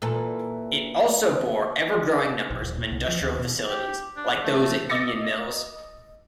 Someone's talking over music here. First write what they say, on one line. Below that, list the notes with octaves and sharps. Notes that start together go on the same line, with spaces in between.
It also bore ever-growing numbers of industrial facilities, like those at Union Mills.
A#2 E3 A4
A#1
D#1
A#2
C2
F3
D#2
B2
G4
D4
A3
D#5 D6 E6 A6 A#6 C#7